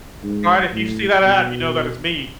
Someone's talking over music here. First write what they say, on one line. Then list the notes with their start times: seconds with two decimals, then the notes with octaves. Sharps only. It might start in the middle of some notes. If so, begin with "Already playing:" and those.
Alright, if you see that app, you know that it's me.
0.24 G#2
0.74 A2
1.24 B2